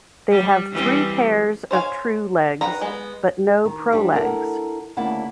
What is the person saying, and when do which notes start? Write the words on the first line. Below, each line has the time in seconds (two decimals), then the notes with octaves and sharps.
They have three pairs of true legs, but no prolegs.
0.30 G3
0.71 E3 G3 C4
1.71 C5 C#5 F5 G#5
2.61 D#3 B4 A#5
2.81 G#3 B3
3.65 D#3
3.92 F3 G3 D4 G4
4.13 E4 A4 A#4 F#5
4.97 D2 C#3 A#3 E4 F#5 A5